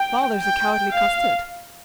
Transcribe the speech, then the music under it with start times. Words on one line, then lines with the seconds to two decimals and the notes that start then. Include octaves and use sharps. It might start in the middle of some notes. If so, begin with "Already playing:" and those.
"Father's a cowardly custard."
Already playing: G5
0.41 G5
0.92 F5